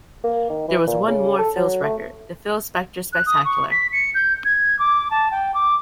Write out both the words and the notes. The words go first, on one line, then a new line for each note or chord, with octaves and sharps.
There was "one more" Philles record, The Phil Spector Spectacular.
A#3
D#3
E3
A#2
C#3
A4
F#3
A3
F#6
D#6
C#6
B6
C#7
G6
G#6
D6
A5
G5
D6